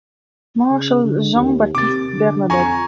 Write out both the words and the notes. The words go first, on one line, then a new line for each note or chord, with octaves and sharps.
Marshal Jean Baptiste Bernadotte.
C#3
D3
D#2
C3 D6 A6
D3
F2 G#5 A#5 C#6